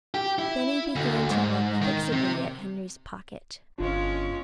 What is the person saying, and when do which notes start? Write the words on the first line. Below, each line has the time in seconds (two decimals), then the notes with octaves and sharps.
Benny began to look fixedly at Henry's pocket.
0.14 G4
0.38 E4
0.96 D2
1.31 G#2
1.82 D#3
2.12 C3
3.78 G1 G#3 C#4 D4 F4